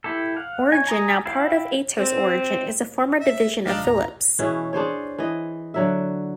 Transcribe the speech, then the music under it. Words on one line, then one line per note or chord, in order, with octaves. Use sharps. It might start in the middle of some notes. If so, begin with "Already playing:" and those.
Origin, now part of Atos Origin, is a former division of Philips.
E4 G4 A4
F5 F#5
C#5 G#5
G#5 A#5 C#6 D#6
E4 F5 G5
C4
E5
G1 F2 G#3 D4 D#4 F5
D#2 A2 D#3 A#5
B2 E3 C#4 G#4
D4 G#4 C5 C#5
E3 D#5
D3 F#3 E5